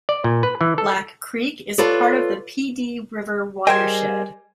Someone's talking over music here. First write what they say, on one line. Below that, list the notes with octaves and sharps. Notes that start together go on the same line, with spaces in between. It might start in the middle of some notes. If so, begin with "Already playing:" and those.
Black Creek is part of the Pee Dee River watershed.
D5
A#2
B4
E3
A4
F4 A4 B4 C#5 D5
G3 G#4 A#4 C5 D#5 G5 G#5